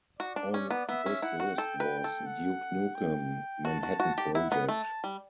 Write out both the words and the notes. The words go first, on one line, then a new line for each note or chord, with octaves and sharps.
On this list was "Duke Nukem: Manhattan Project".
F#4 D5
D4
C#4
B3
B3 E5
C#4
E4 F#5
F#4
A4 G5
B4
A4
F#5
G5
F#4 A5
F#4
F#4
G4
E4 F#5
B3
A3 A5
G3